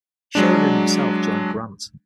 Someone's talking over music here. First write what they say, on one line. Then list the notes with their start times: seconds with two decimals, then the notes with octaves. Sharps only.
Sheridan himself joined Grant.
0.35 F#3 G#3 D4